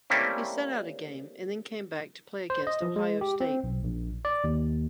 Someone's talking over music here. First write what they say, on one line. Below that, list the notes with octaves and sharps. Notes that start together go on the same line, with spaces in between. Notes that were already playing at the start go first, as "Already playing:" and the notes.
He sat out a game and then came back to play against Ohio State.
G3 A3 A#3 C4 C#4 E4
C5
D#5
F3
G#3
G4
C4
B1
A#1
D5
D#2